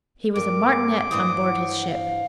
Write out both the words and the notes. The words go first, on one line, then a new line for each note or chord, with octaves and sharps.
He was a Martinet on board his ship.
G2 A#4 D6
G2 E3 C5 D#6
F#5
F5